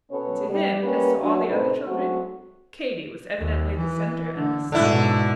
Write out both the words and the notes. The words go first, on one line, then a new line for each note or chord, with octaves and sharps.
And to him, as to all the other children, Katy was evidently the centre and the sun.
B2 B3 C#4 A4 B4 C#5
G3
G3 A#3 B3 C#4 B4
F#3 D4
A2 C3 D#4 A4 B4 C5
F#3 G#3 A3 C4 F#4
D#2
E3
D3
G#2 B2 D3 E4